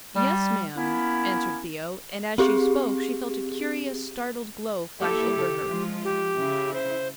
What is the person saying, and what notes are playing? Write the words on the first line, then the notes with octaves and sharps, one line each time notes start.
"Yes, ma'am," answered Theo, and as she spoke, she felt a curious, startled glow flash over her.
G3
A#3 B3 C#4 E4
C4 G4 G#4
A#3 E4 G4 A4
C#3 A4
F3 G#3 F4
G4
C#3 E4
C5